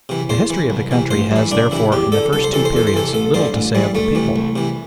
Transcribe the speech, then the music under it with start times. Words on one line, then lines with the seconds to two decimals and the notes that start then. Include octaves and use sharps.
The history of the country has, therefore, in the first two periods little to say of the people.
0.09 C3 E3
0.29 E2 C5
0.50 E3
0.70 C2
0.91 C3 E3
1.11 A1 C5
1.31 G2 E3
1.51 C2 D4
1.71 C3 E3 E4
1.92 E2 G4
2.12 D3 A4
2.33 C2 A4
2.44 C5
2.52 C3 E3 A4
2.65 C5
2.73 E2 A4
2.87 C5
2.94 C3 E3 A4
3.13 A1 A4
3.34 G2 D3 C5
3.54 A1
3.75 G2 E3 G3
3.95 D2 A3
4.15 C3 E3
4.36 C2
4.56 C3 E3